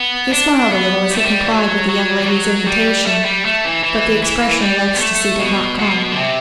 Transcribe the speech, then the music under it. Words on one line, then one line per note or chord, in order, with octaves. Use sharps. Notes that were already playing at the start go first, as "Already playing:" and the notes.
He smiled a little as he complied with the young lady's invitation, but the expression of ecstasy did not come.
Already playing: B3
D4
B3
G3
A3
G3
E3
F#3
F#3
G3
F#3
G3
A3
G3
A3
E3
E3
E3
G3
B3
A3
B2
B2
D3
C3